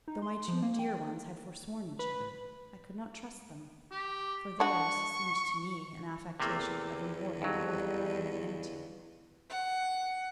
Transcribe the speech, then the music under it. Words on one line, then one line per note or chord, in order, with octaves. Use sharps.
Though my two dear ones had forsworn each other, I could not trust them, for theirs seemed to me an affectation of a more than mortal magnanimity.
D#4
C6
F3
A#3
G5
B4
G4
D4 F#4 C#6
E2 C3 A3 A#3
F2 F#3 G3
F#5